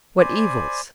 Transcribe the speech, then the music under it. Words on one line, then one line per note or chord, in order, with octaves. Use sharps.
What evils?
C5 D5 G#5 B5